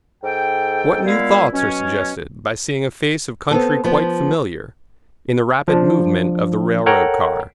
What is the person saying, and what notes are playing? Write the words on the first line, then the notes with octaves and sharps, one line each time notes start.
What new thoughts are suggested by seeing a face of country quite familiar, in the rapid movement of the rail-road car!
G#2 A4 G5
A#2 G#3 B3 E4 F5
B2 F#3 C#4
B3 C4 A4
F3 B3
F3 D4
A4 A#4 C#5 F#5 G5 A#5